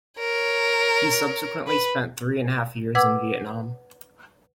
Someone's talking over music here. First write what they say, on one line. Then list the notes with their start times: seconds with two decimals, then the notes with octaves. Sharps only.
He subsequently spent three and a half years in Vietnam.
0.19 A#4 C#5
1.68 B4
2.95 B4 F#5 D6 E6 G#6